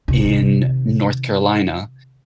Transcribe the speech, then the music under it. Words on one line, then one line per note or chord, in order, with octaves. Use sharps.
in North Carolina,
C3 D#3